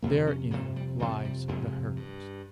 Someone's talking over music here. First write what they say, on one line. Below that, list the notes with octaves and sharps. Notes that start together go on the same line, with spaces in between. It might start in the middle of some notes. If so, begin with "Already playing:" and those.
Therein lies the hurt.
F2 C3 A#3
C#4
F2 C3 A#3
G3
F2 C3 G3
G3
F2 C3 G#3
G2